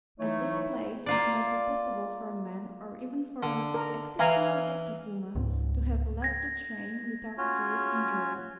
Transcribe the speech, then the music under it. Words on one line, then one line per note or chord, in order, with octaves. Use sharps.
At that place it might be possible for a man, or even for an exceptionally active woman, to have left the train without serious injury.
E3 F#3 A3 D#4 E4 C#5
A#3 F4 D5
D3
A#4
E3 F5 G#5 A#5
C#2 G#2
G#6 A#6
C#4 F4 F#4 C#5